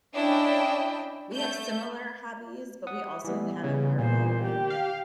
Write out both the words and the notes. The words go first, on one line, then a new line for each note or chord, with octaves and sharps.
we have similar hobbies, but we also have our own
C#4 D4 E4 D#5 G5
A3 G6
F#5 D#6
E3 G3 B3
C#3
A#2 G#4 C5
G4
F5